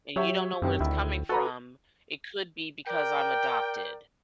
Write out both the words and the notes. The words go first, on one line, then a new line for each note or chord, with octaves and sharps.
and you don't know where it's coming from, it could be because I'm adopted."
F#3 G4 C#5 E5
F#2 C3 D#3 G4
D2 D#3 E4
F#4 A4 B4 A#5
A#4 D5 G5